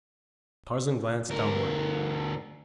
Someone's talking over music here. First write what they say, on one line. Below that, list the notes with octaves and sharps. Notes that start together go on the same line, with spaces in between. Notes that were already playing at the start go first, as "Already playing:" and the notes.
Tarzan glanced downward.
D2 A#4